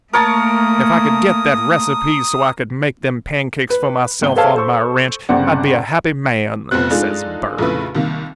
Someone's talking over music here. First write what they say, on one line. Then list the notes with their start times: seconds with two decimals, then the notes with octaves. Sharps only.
If I could get that recipe, so I could make them pancakes for myself on my ranch, I'd be a happy man,' says Bird.
0.13 A3 A#3 A#4 C#5 A5 D#6
3.70 B4
4.22 G#1 G7
4.36 G#4 A4 B4 C#5 F5 A5
4.55 A4 C5 C#6
5.29 G1 C#3 C4 D5 F#5
6.71 F1 F2 B3 C4 F#6
6.91 G#3 D4 D#4 F4 G#4 A4
7.58 A#1 F2 C#3 A3 E4 B4
7.95 C2 D#3 A#3